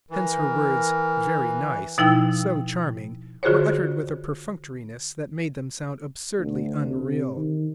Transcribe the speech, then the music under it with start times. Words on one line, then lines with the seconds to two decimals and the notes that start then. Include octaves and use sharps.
Hence her words "very nice," "so charming," were uttered with a perfunctoriness that made them sound absurdly unreal.
0.10 E3 A#4
1.98 B2 F3 D#4 E4 G5 E6
3.43 D3 F4 F#4 G#4 C5 C#5
6.39 D2
6.89 C3
7.36 D#3